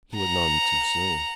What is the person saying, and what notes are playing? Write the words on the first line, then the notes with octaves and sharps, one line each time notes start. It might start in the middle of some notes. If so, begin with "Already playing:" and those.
He was none too soon.
F#5 A#5